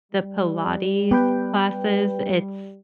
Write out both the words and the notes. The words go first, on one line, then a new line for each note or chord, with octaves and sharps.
the Pilates classes, it's
G3
B3 G4 B4 G5